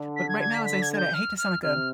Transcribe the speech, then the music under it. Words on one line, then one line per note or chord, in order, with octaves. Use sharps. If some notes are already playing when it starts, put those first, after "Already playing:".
but right now, as I said, I hate to sound like a
Already playing: D3
B6
G#6
G#6
B6
B6
G#6
G#6
G6
F6
F6
C3 F6